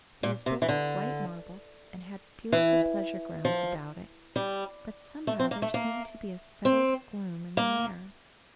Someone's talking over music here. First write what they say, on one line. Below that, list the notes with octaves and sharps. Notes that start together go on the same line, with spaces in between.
It was built of white marble, and had beautiful pleasure-grounds about it, but somehow there seemed to be a settled gloom in the air.
A#2
C3
E3
D3
E3
F3
G3
A3
C4
A#3
A3
A#3
C4
A#3